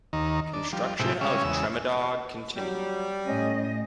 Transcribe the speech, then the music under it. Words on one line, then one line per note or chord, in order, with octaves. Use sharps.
Construction of Tremadog continued.
D#2 D#3
D4
F3 G3
A2 C3 G#3 E4 G4
C#3 G3 G#3 C#4 E5 F5
E2 C#3 G#3 E6
F#3 G3
A2 C#4 D#5